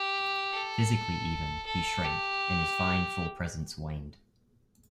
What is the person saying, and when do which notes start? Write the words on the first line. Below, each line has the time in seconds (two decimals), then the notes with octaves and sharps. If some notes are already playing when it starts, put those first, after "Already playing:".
Physically even, he shrank, and his fine full presence waned.
Already playing: G4
0.53 A4
1.67 A4
2.04 G4